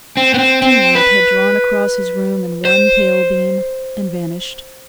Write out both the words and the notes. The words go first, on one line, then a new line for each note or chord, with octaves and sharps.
Sunlight had drawn across his room in one pale beam, and vanished.
C4
B3
C4
C4
B4
C5